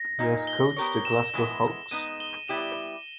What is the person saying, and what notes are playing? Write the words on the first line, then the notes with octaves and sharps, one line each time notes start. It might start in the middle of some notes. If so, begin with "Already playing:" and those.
He has coached the Glasgow Hawks.
Already playing: A#6
A#2 A#3 D#4
G7
B3 G4 A#4 C#5
E7
E3 G#3 B3
G#3 B3 D#4 D#7
G7
G3 B3 E4 G4 E7